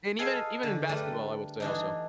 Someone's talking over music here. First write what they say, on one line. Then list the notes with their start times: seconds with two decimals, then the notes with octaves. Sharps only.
and even in even in basketball, I would say also.
0.19 G#4 A4 B4 D#5 F5 G#5
0.63 D3
0.89 G3 A3 A#4 B4 D5
1.60 E3 D4 D#4